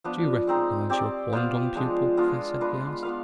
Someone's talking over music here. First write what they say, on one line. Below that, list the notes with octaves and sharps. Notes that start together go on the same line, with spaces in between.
"Do you recognize your quondam pupil, professor?" he asked.
F3 B3 D4
G#3 C4 D#4
C4 G4 D5
B3 F4 C5 F5
F3 G#3 D4
G#3 B3 D4 F4
G#3 D4 F4 B4
B3 F4 B4 F5